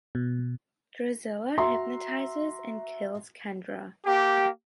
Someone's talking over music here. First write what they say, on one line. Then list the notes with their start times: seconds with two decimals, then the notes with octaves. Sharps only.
Drusilla hypnotizes and kills Kendra.
0.15 B2
1.58 F#4 E5 A#5 C6
4.06 A#3 G4